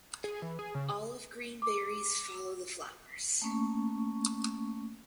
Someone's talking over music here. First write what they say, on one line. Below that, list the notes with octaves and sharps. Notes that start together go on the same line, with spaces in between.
Olive green berries follow the flowers.
G#4
E3
G#4
C#3
D6
A3 A#3 C#4 C#6